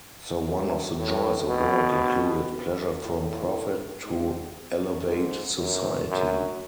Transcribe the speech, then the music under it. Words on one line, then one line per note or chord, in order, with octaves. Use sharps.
So one of the joys of work included "pleasure from profit" to elevate society.
F#2
A2
B2
A2
G#2
G#2
F#2
F#2